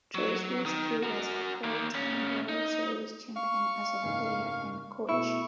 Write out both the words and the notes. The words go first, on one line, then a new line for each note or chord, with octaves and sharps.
Tracewski was a four-time World Series champion as a player and coach.
F#3
D#3
F#4 A#4
D#3 A#3
A#2 C#4
D#4
F5 C#6
F#1 G#2 G#5
B2 A3 B3 E4 C#6